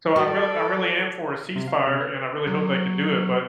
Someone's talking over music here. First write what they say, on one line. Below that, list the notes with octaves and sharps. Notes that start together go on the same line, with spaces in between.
So I real I really am for a ceasefire, and I really hope they can do it. But,
F#4 A4 D5
C3
F5
C3
B4
F#3